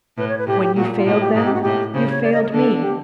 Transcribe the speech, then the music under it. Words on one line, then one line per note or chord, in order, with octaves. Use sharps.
When you failed them, you failed me.
A2 B4
C#5
B4
A2 G4
G4
A#2 F#4
F4
A2 F#4
G#4
G4
G#2 G#4
G4
F#4
A2 G4
C#3 C5
C#5
D5
D#5
A#4
G#4
D3 A4
G4